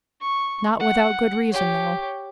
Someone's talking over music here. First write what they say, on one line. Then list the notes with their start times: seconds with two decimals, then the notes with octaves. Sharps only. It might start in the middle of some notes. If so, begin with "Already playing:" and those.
Not without good reason, though.
0.21 C#6
0.80 F#5
1.49 G4 C#5